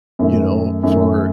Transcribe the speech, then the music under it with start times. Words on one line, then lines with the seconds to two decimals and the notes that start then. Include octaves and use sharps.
you know, for
0.19 F#2 D#3 A3
0.83 F#2 D#3 A3